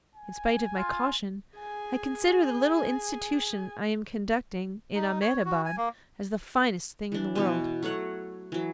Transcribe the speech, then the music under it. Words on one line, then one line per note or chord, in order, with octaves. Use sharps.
In spite of my caution I consider the little institution I am conducting in Ahmedabad as the finest thing in the world.
G#5
F4
G#4 G#5
D#4
C#5
F#4
G#5
A#3
E3 D4
B2 E3 C#5
F#3 A3 C#5 F#5
E3 F#3